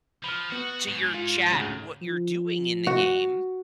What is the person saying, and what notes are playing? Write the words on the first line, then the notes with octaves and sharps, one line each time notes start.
to your chat what you're doing in the game,
F3 B5 F6
B3 F#4
G#2
F4
D2 C#3
F3
F#4